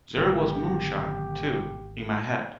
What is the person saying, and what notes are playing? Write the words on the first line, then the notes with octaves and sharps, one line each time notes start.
There was moonshine, too, in my head.
G#1 B2 D3 D#3 F#3 G#3 G4 A#4